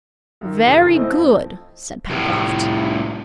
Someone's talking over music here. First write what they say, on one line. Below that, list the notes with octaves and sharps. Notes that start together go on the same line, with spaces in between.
"Very good," said Pencroft.
F#2 D#3
F1 C3
E2
A3 C4 E4 C5 D#5
F2
C2 A2